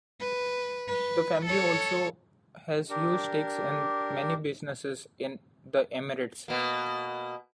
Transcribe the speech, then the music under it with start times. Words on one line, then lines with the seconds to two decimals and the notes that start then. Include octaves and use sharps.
The family also has huge stakes in many businesses in the Emirates.
0.20 B4
0.88 B4
1.46 A4 C#5
2.90 D4 G4 A#4
6.48 B2 A#3